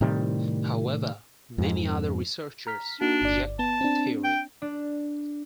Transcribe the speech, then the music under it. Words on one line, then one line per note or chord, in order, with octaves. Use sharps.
However, many other researchers reject the theory.
A2 C3 D#3 G3
F2 G#2
A#5 F6 B6
A#3 D4 D#4 F#4
G1 D5
B3 A5
C4 D4
G5
D4